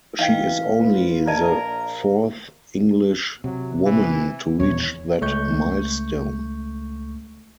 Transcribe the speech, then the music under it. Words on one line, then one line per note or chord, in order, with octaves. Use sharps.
She is only the fourth English woman to reach that milestone.
E3 D#4 D#5 F5 G5
E4 F4 B4
A#1 A#4 D5 D#5 A5
C3 F#3
E3
D#1 E2 C#5
C#2 A3 C#6 G6